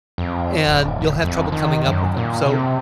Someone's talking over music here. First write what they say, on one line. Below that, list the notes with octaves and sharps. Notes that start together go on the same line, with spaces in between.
And you'll have trouble coming up with 'em, so
F2
D1
D1
F2
D#3
F#2
A#2
C3